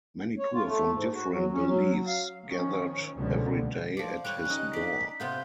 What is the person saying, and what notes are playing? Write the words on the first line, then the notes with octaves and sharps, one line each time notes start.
Many poor from different beliefs gathered every day at his door.
C#5
F4
A3
G#2
F#4
F#3
C#4
F#3
F5
D#3 F3 C#4
C#2 B2 D3 F3 G3 B3
F3 D5
G3 B4 C#5 F#6
C#4 D#4
D#4 D5 B6
C3 B3 F4 G6